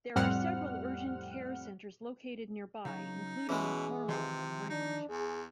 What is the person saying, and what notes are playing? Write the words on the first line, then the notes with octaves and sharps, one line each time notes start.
There are several urgent care centers located nearby including in Carmel and LaGrange.
F2 A2 G3 C4 F#5 F6
C#3 F#3 D#4
B2 E3 G#3 C#4 G#4
C3 D#3 F3 C6
D4 D#4
E2 G#4